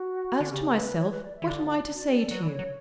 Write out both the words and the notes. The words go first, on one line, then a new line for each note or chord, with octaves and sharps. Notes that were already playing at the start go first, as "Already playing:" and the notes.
As to myself, what am I to say to you?
Already playing: F#4
D3
C#3 G4
B4
C#5
B4
D5
E5
E3
D3 D5
F#4
G4
A4
F#3 B4
E3 C#5
F#3